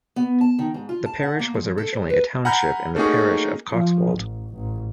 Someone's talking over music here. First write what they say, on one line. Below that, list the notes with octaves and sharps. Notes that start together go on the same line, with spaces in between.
The parish was originally a township in the parish of Coxwold.
B3
A5
D#3
G#2
F4
A5
F#5
A#3
F3
A4
C5
B4
F#5 G#5 A#5 B5 F6 G6
A3 A#3 C#4 D#4 F#4 G#4
F3
A1
A1